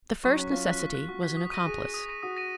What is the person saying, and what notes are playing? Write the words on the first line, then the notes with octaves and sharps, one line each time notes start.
The first necessity was an accomplice.
F#3 C#6
C#4 F#6 B6
F4 C#6
F#6 B6
C#6
F#6 B6
F#4 C#6
F#6 B6
D#6
A#6 D#7
G#4 D#6
A#6 D#7
D#6
A#6 D#7
F#4 D#6
A#6 D#7